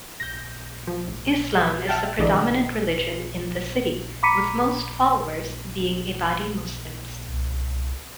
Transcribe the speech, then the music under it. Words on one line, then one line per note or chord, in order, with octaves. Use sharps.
Islam is the predominant religion in the city, with most followers being Ibadi Muslims.
G6 A#6
F3
A1
E5 F#5 G5 A5 F6 A6
A#1 D3 E3 D5 D#5 A#5
A#5 B5 D6 B6 C#7 D#7
C2